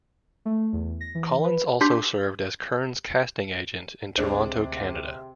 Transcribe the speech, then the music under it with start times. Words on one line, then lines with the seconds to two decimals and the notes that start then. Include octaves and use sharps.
Collins also serves as Kern's casting agent in Toronto, Canada.
0.45 A3
0.73 E2
1.01 A#6
1.15 E3
1.44 B4
1.81 D4 G4 C6 G6 B6
4.18 D2 C3 G#3 D4 C5